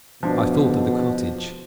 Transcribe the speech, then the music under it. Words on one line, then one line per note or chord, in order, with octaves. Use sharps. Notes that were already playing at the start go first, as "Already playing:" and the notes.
I thought of the cottage.
B2 F3 D4